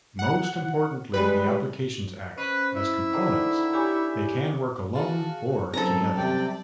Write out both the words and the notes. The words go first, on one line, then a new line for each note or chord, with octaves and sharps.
Most importantly, the applications act as components, they can work alone or together.
F#5
G3 G#3 B4
C#4 B4 C5 D#5
E4 E5
D3 D#3 G#4 C5
G4 C#5 D5 G#5
F#4 G#4 F5 A5
F#2 F#3 C4 G#4 A4 B4 C5 A#5
C3 G3 D5 G5 A6